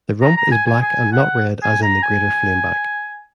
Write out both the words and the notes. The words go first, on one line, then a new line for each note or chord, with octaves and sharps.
The rump is black and not red as in the greater flameback.
A#5
A#5
G#5
G#5
G#5
F#5
G#5
A#5
G#5